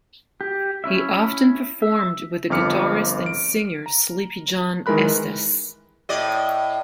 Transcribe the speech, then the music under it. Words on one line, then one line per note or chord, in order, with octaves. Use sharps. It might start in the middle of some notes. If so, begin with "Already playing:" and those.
He often performed with the guitarist and singer Sleepy John Estes.
G4
C#4 E4 E5
E5
G1 F2 D6 F6 C#7
D7
A#5
D#3 E3 G#3 A#4 B5 F#6
A2 D5 D#5